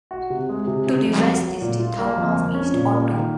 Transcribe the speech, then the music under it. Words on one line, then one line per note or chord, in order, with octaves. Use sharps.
To the west is the town of East Otto.
F#4
C3
G#3
C3
C3
F2
F#3
F#3
A#2
F4
A#3
F2
F2
C#4
A#2
A#3
D#3